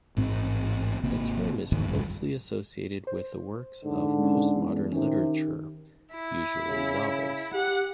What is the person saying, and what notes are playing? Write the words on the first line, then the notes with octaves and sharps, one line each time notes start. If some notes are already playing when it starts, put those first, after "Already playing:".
The term is closely associated with works of postmodern literature, usually novels.
A1 G#2 C4
G#1 C3 A#3 C4
F#1 E2 G#2 D#3
F1 A#1 G2
C5
G#2 D3
G#3 C#4
E2
C3 D#3 C#4 G4
E4
C#3
G4 F#5